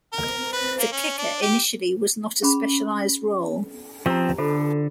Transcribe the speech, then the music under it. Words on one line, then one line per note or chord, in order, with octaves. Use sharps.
The kicker initially was not a specialized role.
A#4
B4
A#3
C#4
D4
G4
C#4 G#4 B5
F3 C4 G4 C5 A#5
D3 F4 A4 C5